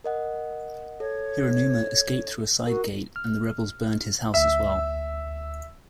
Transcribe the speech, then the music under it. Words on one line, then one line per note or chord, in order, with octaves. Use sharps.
Hiranuma escaped through a side gate and the rebels burned his house as well.
A#4 D#5 F#5
A4 C#5
F#4 A#4
F6
D2 E5 E6